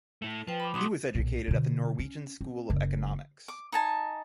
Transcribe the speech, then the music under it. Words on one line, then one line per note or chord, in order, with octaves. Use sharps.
He was educated at the Norwegian School of Economics.
A3 E4
F3 B4 G5
B5 D6
B2 F#3 C6 D6 D#6
B1 A#2
B2 D3
C#4
C4
F#1 F#3
D6
D#4 G#5 A5